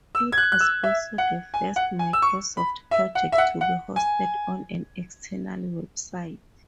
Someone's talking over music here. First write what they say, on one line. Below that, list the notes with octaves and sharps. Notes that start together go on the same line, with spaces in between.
It was also the first Microsoft project to be hosted on an external website.
E6
G#6
F#6
F#6
E6
E5
F#5
G#5
F#5
G#5
E6
C#6
B5
E5
F#5
E5
F#5
F#5
G#5